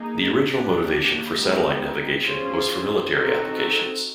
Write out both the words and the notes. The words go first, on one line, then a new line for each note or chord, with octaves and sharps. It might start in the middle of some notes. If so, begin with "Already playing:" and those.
The original motivation for satellite navigation was for military applications.
Already playing: A#3 D#4 G#4
A#3 D4 G4
G#3 B3 D#4 G4
C#4 F4 G#4 C5
C4 D#4 F#4 A4